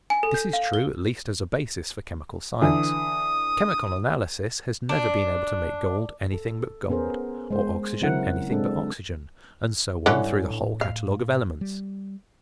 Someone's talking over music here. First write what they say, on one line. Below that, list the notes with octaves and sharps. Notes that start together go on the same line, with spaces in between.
This is true at least as a basis for chemical science. Chemical analysis has never been able to make gold anything but gold, or oxygen anything but oxygen, and so on through the whole catalogue of elements.
G#5
A4
G6
F5
G7
D3 E3 D#6
D4
A4
B3 C#4 G#4 A#4 C5
G#3 C5
C#3 F#3 C4 E4 A#4 F#5
G#3 C4 D4 A4
G#2 D3 E3 G3 C#4 D4
A2
F5
G3